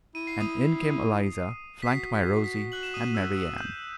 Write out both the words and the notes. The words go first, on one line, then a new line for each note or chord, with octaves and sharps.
And in came Eliza, flanked by Rosie and Mary Anne.
E4 D#7
C7
D#6 D#7
B6
F#4 C7
B6
B6
F#6 F#7
E7
D#6 D#7
E6
E6
G6